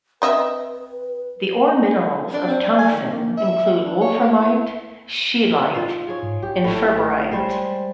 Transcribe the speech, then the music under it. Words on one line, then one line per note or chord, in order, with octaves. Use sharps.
The ore minerals of tungsten include wolframite, scheelite, and ferberite.
C4 B4 D#5 E5
D4
C4
D5
G#5
D#3
A#3
E5
D4
C#5
A#3
E4
D#4 F4 F5
G#4 C#5
G#2
A1 G4
A2
G3 G#3 C5